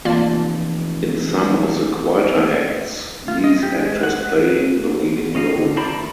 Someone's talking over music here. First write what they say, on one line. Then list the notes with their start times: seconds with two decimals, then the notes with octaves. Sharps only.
In some of the quieter acts these actors play the leading role.
0.05 F1 E3 A#3 F4 D5 A5
3.28 F4
3.44 D#5
3.63 G4
3.76 G#3
4.03 F#5
4.23 F#5
5.35 C#4 D#5 F5
5.50 D3
5.77 A#4 C5 D5 A5 B5
5.88 D#3 A3